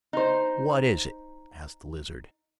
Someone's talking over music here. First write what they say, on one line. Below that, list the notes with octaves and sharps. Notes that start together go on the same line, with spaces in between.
"What is it?" asked the Lizard.
D#4 C5